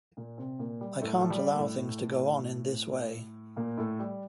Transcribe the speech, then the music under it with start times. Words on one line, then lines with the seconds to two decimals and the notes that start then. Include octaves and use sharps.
I can’t allow things to go on in this way.
0.17 A#2 A#3
0.38 C3 C4
0.59 A#2 A#3
0.81 G3
1.02 A2 A3
1.21 F3
1.30 G3
1.53 A#3
1.58 A2 A3
3.56 A#2 A#3
3.78 A2 A3
3.99 G3